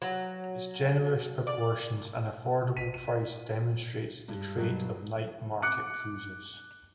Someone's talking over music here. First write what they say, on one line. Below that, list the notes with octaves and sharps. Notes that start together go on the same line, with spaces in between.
Its generous proportions and affordable price demonstrates the trait of night market cuisines.
F#3
D5
B6 D#7
D#7
G2
B2 F#3
D6 F#6 C#7